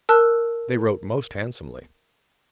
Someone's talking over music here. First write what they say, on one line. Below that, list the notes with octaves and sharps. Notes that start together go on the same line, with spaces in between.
They wrote most handsomely.
A#4 A5 E6 F#6